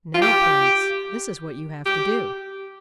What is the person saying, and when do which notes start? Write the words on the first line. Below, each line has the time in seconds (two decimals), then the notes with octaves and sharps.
'Now, Prince, this is what you have to do.
0.14 F4
0.22 G4
1.86 G4